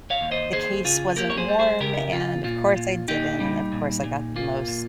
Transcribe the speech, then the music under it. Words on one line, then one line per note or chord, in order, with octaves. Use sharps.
the case wasn't warm and of course I didn't and of course I got the most
C#5 F5
D#2
C5 D#5
D#2 G#4 C5
C#3 F4 G#4
A#3 G4 A#4
C#5
G#4 C5
G3
G#4 C5
C#3 G4 A#4
C#3 F4
A#2 F4
A#2
A#2 D#4 G4
G3
A#2
A#2
A#3 F4
A#2